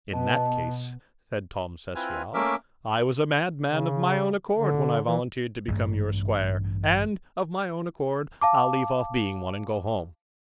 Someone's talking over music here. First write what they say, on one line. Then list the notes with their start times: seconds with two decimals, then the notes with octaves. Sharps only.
"In that case," said Tom Cecial, "I was a madman of my own accord when I volunteered to become your squire, and, of my own accord, I'll leave off being one and go home."
0.12 B2 B3 D#5 A5
1.95 C4 E4 F4 B4 G#5 F6
2.34 A3 A#3 C#4 A#4 E5 D6
3.65 C#3
4.57 D3
5.07 E3
5.68 A1 G2 A3
8.41 F5 A5 D6